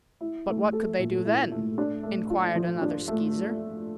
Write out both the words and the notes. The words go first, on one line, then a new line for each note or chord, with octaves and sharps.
"But what could they do then?" inquired another Skeezer.
E4
A3
A4
A#2
E4
A3
D4
A3
F4
F3
D4
A3